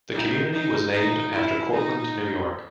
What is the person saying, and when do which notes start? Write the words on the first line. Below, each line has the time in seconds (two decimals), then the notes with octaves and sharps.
The community was named after Cortland, New York.
0.14 D#4
0.53 D#4
0.93 D#4
1.33 E4
1.73 D#4